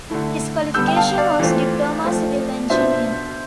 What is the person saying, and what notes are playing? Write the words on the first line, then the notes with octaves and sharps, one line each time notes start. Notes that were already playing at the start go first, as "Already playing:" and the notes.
His qualification was Diploma Civil Engineer.
D3 A3 E4
D3 G3 B3 E6 G6
G5
F5 A5
D5 F5
E3 A3 C4 F4
F3 A3 C4
B2 B3 D4 F4 C5 E5